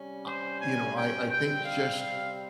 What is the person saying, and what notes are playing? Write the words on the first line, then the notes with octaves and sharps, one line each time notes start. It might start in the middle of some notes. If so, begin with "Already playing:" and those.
Ah you know, I I think just
Already playing: C3 G3 C#4
C5
G#5
G5
C3 G3 C4 G5
F5
F5